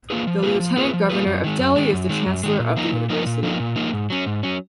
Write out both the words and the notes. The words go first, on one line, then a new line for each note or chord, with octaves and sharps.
The Lieutenant Governor of Delhi is the Chancellor of the university.
A#3 F4 G#4 B4
F3
A#3 F4 G#4 B4
F3
A#3 F4 G#4 B4
F3
A#3 F4 G#4 B4
F#2
D#3 G#3
F#2
D#3 G#3
F#2
D#3 G#3
F#2
D#3 G#3
A#2
F3 A#3 D#4
A#2
F3 A#3 D#4
A#2
F3 A#3 D#4
A#2
F3 A#3 D#4
G#2
F#3 C#4
G#2
F#3 C#4